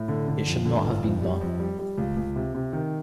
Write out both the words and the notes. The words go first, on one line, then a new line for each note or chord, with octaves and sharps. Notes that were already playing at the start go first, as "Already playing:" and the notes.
It should not have been done.
Already playing: A2
D3
D3
F2
D3
G1
F2
G3
F2
G3
G3
C#2
C#2
C3
C3
D#3